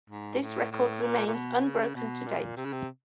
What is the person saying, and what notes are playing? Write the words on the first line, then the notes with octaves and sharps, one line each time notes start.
This record remains unbroken to date.
G#2
A2
A2
A#2
A#2
B2
C#3
B2
A#2
C3
C#3
C3